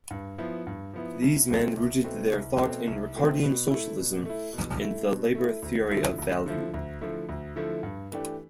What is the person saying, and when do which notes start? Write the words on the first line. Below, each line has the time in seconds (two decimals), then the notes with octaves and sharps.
These men rooted their thought in Ricardian socialism and the labour theory of value.
0.11 G2
0.38 F3 B3 E4
0.67 G2
0.93 F3 B3 E4
1.22 C2
1.49 B2 A3 C4
1.77 C2
2.04 B2 A3 C4
2.31 C2
2.59 B2 A3 C4
2.87 C2
3.15 B2 A3 C4
3.43 B2
3.70 A3 E4
3.97 B2
4.25 A3 E4
4.53 B2
4.81 A3 E4
5.07 B2
5.35 A3 E4
5.62 D2
5.91 D3 F3 A3 E4
6.18 D2
6.46 D3 F3 A3 E4
6.74 D2
7.01 D3 F3 A3 E4
7.29 D2
7.56 D3 F3 A3 E4
7.83 G2
8.12 E3 A3 D4 G4